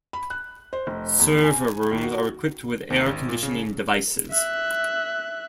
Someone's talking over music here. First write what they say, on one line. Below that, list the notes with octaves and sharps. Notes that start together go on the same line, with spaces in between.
Server rooms are equipped with air conditioning devices.
B5
F#6
C5
F1
E2
G#5
D#2
F#4
D#2
G#1
A#2
C#3
E5 F#6